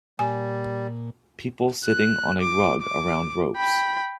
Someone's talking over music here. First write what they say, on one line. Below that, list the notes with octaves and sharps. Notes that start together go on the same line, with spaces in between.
People sitting on a rug around ropes.
A#2 G3 G#5
F#6
D6
D6
G5 B5